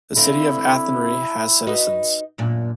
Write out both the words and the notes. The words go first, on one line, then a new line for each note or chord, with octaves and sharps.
The city of Athenry has citizens.
D3 C4 E4 F5
D#4 F#4 B4
F#2 A#2 D4